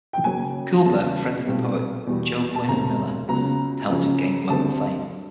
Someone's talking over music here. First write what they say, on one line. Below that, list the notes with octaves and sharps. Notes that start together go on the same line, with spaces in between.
Coolbrith befriended the poet Joaquin Miller and helped him gain global fame.
G5
F#2 C#3 F#3 A#3 G#5
E2 C#3 F#3 A#3 A5
B1 A#2 G3 C4
E2 B2 G3 B3
A5
E1 D2 C3 A#5
C#2 C#3 F#3 B3 A#5
F#2 C#3 F3
D2 D3 G3 C4 A5